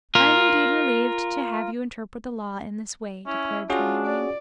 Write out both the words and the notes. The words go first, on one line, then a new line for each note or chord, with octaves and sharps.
"I am indeed relieved to have you interpret the Law in this way," declared Tourmaline.
F4 A#4
C#4 E4
C#4 D4 F4 F#4 G#4
D5